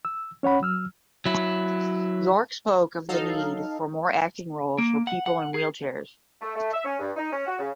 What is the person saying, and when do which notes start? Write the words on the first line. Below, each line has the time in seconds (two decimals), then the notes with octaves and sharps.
York spoke of the need for more acting roles for people in wheelchairs.
0.05 E6
0.43 C#4 C#5 F#5 B5
0.62 F#3 E6 F6
1.26 F#3 E4
3.09 F#3 D#4 A4 F5
4.78 A#3
5.07 F#5
5.26 F#5
5.54 G#4
6.41 A3
6.56 A3
6.73 E5
6.85 C#4
7.00 G2
7.17 D#4
7.32 C#4
7.47 F#4
7.59 C#3